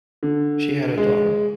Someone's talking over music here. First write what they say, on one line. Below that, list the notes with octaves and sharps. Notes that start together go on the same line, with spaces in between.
She had a daughter.
D3
G#3